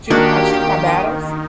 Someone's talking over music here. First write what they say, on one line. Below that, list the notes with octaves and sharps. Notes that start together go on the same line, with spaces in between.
choo I choose my battles.
D#3 A#3 D4 F#4 G4